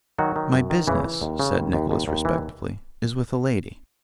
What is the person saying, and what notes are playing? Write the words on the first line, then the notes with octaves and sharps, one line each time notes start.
'My business,' said Nicholas respectfully, 'is with a lady.'
D#3 F#3 F#4
D#3
F#2
D#3
C#3 E3 E4
E3
D#2
C#3
D#2
D#2
D#2
D#2
E3